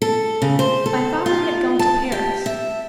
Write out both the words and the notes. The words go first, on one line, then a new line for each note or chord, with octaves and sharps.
My father had gone to Paris.
A4
C#3
C5
A4
F4
A5
G4
E5